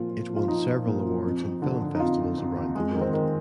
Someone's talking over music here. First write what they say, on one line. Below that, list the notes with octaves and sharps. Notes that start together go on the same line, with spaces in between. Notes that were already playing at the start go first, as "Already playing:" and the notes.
It won several awards in film festivals around the world.
Already playing: A#2 F3 F4
F3
F3
F4
F3 D#4
F3
A#2
F3
F2
F2
D3
D3
D#4
F2 F4
F2
F2
F2
F2 G#3
D#3
C4
D#3